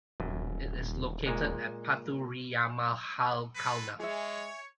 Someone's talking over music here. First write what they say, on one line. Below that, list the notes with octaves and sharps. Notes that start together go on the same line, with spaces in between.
It is located at Pathuriyamahal, Kalna.
D#1 F#2
A#2 G#3
G#3 A4 B4
G#3 G#4 C#5 E5